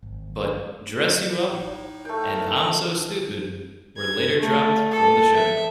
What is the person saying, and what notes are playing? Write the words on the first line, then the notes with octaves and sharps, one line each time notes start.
But "Dress You Up" and "I'm So Stupid" were later dropped from the show.
G#1
A2 D#4
A3 A#4 G5
D#5 C#6 E6
G#6
A3
A4
E5